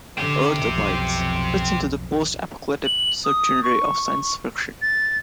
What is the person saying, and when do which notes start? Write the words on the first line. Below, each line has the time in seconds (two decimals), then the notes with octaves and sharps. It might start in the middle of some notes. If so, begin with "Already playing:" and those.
"Earth Abides" fits into the "post-apocalyptic" subgenre of science fiction.
0.18 D3 C4 G4
0.62 B1 F2
2.86 F#7
3.25 D#6
3.64 C#6
4.82 A6